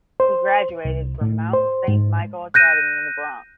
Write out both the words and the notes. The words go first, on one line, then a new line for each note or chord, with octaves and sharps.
He graduated from Mount Saint Michael Academy in the Bronx.
C5
C2
A2
C5
G#2
F#6 G6 A#6 D#7